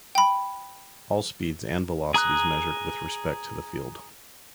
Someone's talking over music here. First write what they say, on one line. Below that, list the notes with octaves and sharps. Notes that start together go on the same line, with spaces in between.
All speeds and velocities measured with respect to the field.
G5 B5
G#4 A#5 D#6 F#6